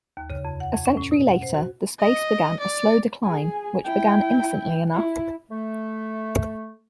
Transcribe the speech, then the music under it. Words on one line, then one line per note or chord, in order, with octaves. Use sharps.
A century later, the space began a slow decline, which began innocently enough.
D#2
C#3
F2
F#5
F2
C#4
A2
B2
F#5
C5
F#4
D#5
D5
G#4 G#5
E4 G5
E4
A3